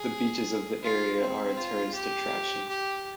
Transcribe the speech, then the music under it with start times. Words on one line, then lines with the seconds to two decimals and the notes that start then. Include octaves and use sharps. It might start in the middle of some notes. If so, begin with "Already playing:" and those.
The beaches of the area are tourist attraction.
Already playing: G#4
0.83 F4
1.20 C4
1.57 F4
1.94 G4
2.69 G4